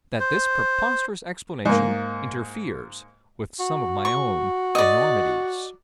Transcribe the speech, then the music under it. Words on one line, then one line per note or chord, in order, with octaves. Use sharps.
That this preposterous explanation interferes with some of my own enormities.
C5
G#2 A#3
F#4
C#6
D5 D#5